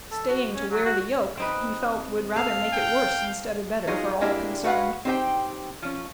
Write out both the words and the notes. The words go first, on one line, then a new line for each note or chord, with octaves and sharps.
Staying to wear the yoke, he felt would rather make it worse instead of better for all concerned.
A4
F#4
C#4
F#3
F#4
C4 D#4 B4
A4 F5
G5
F#3 D#4 F4 G#4
G#3 A#3 D4 E4 G4
F#4 B4 F5 F#5
C4 D#4 G4 C5 G5
F3 C#4